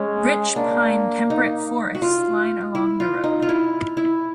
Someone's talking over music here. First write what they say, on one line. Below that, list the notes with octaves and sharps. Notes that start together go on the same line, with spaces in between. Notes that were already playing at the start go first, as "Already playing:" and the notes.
Rich pine temperate forests line along the road.
Already playing: G#3 C#4
A#3 D4
D#4
F#4
F4
E4
F4
D#4
F4
E4
E4